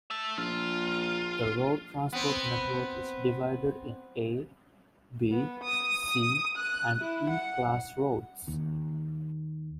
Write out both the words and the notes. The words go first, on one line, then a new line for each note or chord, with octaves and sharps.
The Road transport network is divided in A, B, C and E class roads.
E5 A5
A#1 F4
B3 C4
B3
D#6
D#6
F#6
E4
F#5
D#2